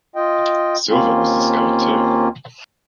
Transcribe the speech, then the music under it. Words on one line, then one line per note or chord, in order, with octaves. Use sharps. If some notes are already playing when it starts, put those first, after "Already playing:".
Silver was discovered too.
F4 D#5 G5
D#2 A#3 C4 C#4 F4